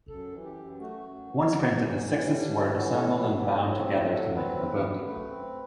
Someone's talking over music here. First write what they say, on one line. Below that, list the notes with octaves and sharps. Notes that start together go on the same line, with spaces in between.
Once printed, the "sixes" were assembled and bound together to make the book.
F#2 A4
E3
G4
F#2
A3 F#4
F#2
E3
A2
E3
A2
G3 E4
D4
A2
E4
E3
F#4
A2 A4
F#3 B4
A2 G4
C4 F#4
A2 G4
F#3 A4
C4 B4
F#3
F#2
A3 B4
C4